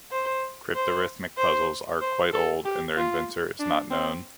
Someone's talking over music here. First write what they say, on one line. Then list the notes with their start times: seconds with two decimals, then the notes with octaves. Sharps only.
Cryptarithmic puzzles are quite old and their inventor is not known.
0.11 C5
0.75 C5
1.38 C5
2.01 C5
2.33 A4
2.65 G4
2.97 F4
3.60 D4
3.90 C4